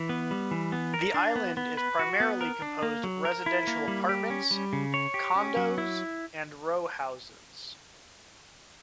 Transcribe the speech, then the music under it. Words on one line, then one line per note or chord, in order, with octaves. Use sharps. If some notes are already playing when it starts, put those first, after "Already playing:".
The island is primarily composed of residential apartments, condos and row houses.
Already playing: E3
B3
G3
E3
B3
A#4
D4
B3
B3
B4
F#4
B3
A#4
D4
A#3
F#3
A#4
E4
A#3
G3
G4
C#4
G3
C#3
C#5
G4
C#4
F#3
E4